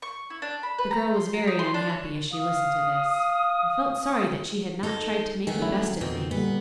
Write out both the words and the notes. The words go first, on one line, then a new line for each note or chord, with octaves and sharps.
The girl was very unhappy as she listened to this, and felt sorry that she had not tried to make the best of things.
C#6
E4
D4
B5
B4
A#5
C6
A#5
D#4
C6
D4
C#5
F5 D#6
D#4 A4
D#3 A3 B3 G#4
D#2 F#3 C#4 E4
F2 B2 D#3 C4
A#2 D3 G3 B3